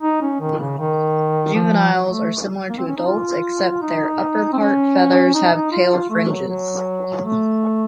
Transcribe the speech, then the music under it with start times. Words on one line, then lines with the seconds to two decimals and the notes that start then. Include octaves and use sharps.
Juveniles are similar to adults except their upperpart feathers have pale fringes.
0.03 D#4
0.22 C#4
0.41 D#3
0.59 C#3
0.79 D#3
1.54 F3
1.93 F#3
2.11 A3
2.69 A#3
2.78 C4
2.88 C#4
2.97 D#4
3.07 F4
3.82 D#4
4.53 C4
4.58 C#4
5.35 D#4
5.54 D#4
5.72 F4
6.10 A3
6.29 F#3
6.49 F#3
7.25 A3